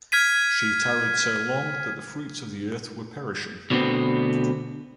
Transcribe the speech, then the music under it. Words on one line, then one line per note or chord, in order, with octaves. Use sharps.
She tarried so long that the fruits of the earth were perishing.
F6 G#6 B6 D#7
D2 B2 D3 B3 C4